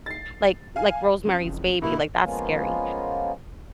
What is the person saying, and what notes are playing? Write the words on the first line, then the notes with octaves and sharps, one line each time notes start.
like like, Rosemary's Baby, like, that's scary,
A6 C7
F5 G#5
F2 C#3 F3
F#1
G2 B2 G3 A#3 E4
F3 G#3 A#3 B3 C#4 F4